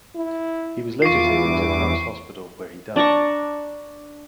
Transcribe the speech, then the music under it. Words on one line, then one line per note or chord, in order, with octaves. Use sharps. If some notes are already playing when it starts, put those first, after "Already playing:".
He was later taken to a Paris hospital, where he died.
E4
E2 E3 F4 C#6 D6 C7
G2
D4 D5 A#5 C#6